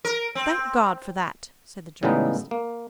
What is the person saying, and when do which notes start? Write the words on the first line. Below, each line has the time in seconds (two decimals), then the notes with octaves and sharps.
"Thank God for that," said the Journalist.
0.05 A#4
0.35 C4
2.03 A2 C#3 G3 G#3 B3 D#4
2.51 A#3